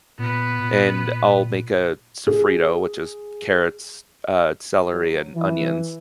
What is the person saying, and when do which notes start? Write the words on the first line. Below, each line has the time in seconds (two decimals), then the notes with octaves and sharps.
and I'll make a sofrito, which is carrots, uh, celery, and onions,
0.19 A#2 B3 B4
0.60 A#2
2.27 G#4
4.93 F#3
5.35 E3